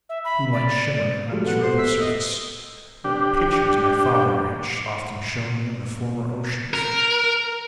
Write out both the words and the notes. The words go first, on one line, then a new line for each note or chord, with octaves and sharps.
The moonlight shimmered on its rippled surface, like pictures my father had often shown me of the former oceans.
E5
B5
D5
F3 G#3 A3 F#4 G4 A4
B3 F#5
A4 C5
E5
D#5
D4 G4
A#4